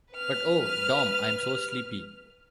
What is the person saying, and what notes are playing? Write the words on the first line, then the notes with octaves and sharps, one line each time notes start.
But, oh, Dom, I’m so sleepy.
B4 F6